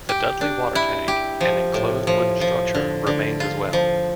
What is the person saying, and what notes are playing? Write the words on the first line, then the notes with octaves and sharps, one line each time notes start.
The Dudley water tank, an enclosed wooden structure, remains as well.
G4
D4
E4
G4
F3
A2
F3
F3
D3
D3
F4
F3